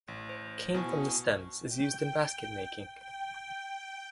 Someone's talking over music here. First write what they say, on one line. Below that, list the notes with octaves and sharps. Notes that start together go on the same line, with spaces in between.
Cane from the stems is used in basket making.
A1
C5
B2 E4 G#5 C#6
G5
G5